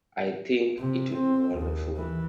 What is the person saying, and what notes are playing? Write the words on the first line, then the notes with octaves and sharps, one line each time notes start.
I think it would be wonderful.
C3
C4
D#2
E3